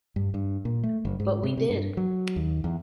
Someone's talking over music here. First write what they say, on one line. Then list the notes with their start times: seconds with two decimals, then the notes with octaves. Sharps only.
But we did.
0.16 G2
0.34 G2
0.65 A#2
0.83 A3
1.05 F#1
1.20 G#2
1.43 C3
1.58 C3
1.70 G2
1.97 F#3
2.36 D#2
2.64 E2